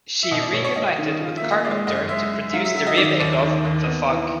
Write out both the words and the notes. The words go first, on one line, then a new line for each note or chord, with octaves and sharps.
She reunited with Carpenter to produce the remake of "The Fog".
E5
B2 D#5
D5
B2 C#5
C#5
G3 D#5
D#3
F3 F5
E5
A#3
D#5
G#3 D5
F#2 D#5
G#3 E5
G#3
E5
F#3 F5
E5
F#3 E5
D#5
D#3 D5
D#2 D5
D#3
D#2
B3
E3